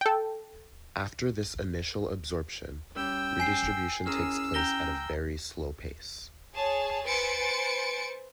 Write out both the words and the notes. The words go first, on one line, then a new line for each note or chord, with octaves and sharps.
After this initial absorption, redistribution takes place at a very slow pace.
A4 G5
G3 C#4 G5 E6
G#5 C7
C#4 E4 G#4 A#4 E6 F6
G5 A#5 A#6 G7
G#4 C#5 A5
B4 C5 G#5 A6 C#7 D7